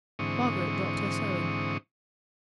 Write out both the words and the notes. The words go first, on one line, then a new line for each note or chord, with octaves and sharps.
Margaret dropped her sewing.
G#2 D3 E3 C4 C#6 D#6